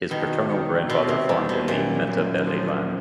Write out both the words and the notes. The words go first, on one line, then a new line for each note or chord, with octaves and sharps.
His paternal grandfather farmed in Matabeleland.
B2 D#3
D#3
B2 C4
C3
B2 G3
B2
F#2 A#2
F#2
F3